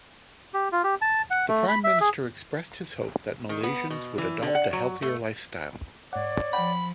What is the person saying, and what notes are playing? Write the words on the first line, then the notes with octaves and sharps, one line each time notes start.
The Prime Minister expressed his hope that Malaysians would adopt a healthier lifestyle.
G4
F4
G4
A5
F#5
A3
B5
E5
G#4
D#3
B3
B2
E3
D3
F#5
F#3
A3
G#2 C#5 D5 F#5
F3 F#5 G5 B5